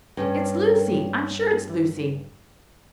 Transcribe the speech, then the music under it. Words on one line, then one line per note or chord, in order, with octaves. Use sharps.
It's Lucy--I'm sure it's Lucy!
G2 G3 C#4